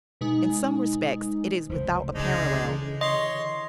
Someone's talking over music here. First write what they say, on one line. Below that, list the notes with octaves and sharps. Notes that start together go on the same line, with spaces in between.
In some respects it is without a parallel.
B2 G#3 D#4
F1 C#2 E3 C5
C#3 G#3 D4 D#4
D3 E3
C#5 D#5 C6